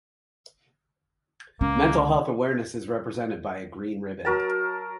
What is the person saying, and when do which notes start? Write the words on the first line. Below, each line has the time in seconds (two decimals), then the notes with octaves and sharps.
Mental Health Awareness is represented by a green ribbon.
1.61 C#2 A#3 C#4
4.25 F#3 A#4 A5